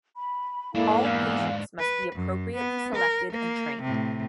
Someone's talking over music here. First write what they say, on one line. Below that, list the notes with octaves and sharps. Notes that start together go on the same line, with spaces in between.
All patients must be appropriately selected and trained.
B5
G#2 A#3 D4 E4 A4 F5
E2 F5
B4
F#2
B3
A#4
A#3
A2 C3